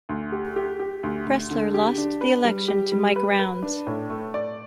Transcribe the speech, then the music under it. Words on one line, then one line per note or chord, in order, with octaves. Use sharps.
Pressler lost the election to Mike Rounds.
D2
G4
G4
G4
D2
D2
D3
G4
D4
B4
G3
G4
G3
B4
B4
D4
A2
A3
D5